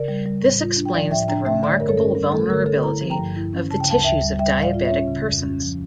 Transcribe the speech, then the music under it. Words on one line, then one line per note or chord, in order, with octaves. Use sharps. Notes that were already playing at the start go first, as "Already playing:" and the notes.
This explains the remarkable vulnerability of the tissues of diabetic persons.
Already playing: C#3 A#4 D5
G3
G3
A2
F4
D4
G5
F3 D5 F5
A2 E5 G5
D4 G5 A#5
A3 E5 G5
D3 D5
C#5
G2 A#4
A4 C#5
C#4 A#4
G3
A3 A4
D3 A#4
D3 A4 C#5
E4 A#5
F3
G5 A#5
G2
E4
C#4
C#3 A5
G5
D2 F5 A5
D2 E5 G5
G3
G3 E5 G5
A2
D5 F5
F4
C#5 E5
C#4
C#3
F2
C#4
F3